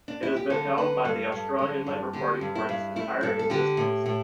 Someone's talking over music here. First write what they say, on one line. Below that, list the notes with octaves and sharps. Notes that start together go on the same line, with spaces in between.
It has been held by the Australian Labor Party for its entire existence.
D4
E4
G4
D3 A4
D3 B4
G2 A4
G2
D3
G2
D3 G4
G2
E4
G2
A3 E4
G2 A4
A4
D3 G4
A2
A2